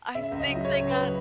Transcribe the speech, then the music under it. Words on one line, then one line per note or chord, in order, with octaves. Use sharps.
I think they got
C#3 E5
C#2
D#5
F#3
C#3 C#5
C#3
B4
F#3